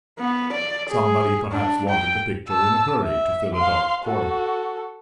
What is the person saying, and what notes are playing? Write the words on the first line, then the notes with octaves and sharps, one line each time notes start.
Somebody perhaps wanted the picture in a hurry to fill a dark corner.
B3
D5
G#4
D4
G5
A5 E6
E5
F5 C6
F#4 A4